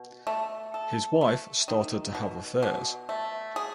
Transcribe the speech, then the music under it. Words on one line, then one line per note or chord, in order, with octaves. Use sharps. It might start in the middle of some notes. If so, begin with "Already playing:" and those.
His wife started to have affairs.
Already playing: B2
A3
A4
A3
D#3
B2
B2
A3
G#4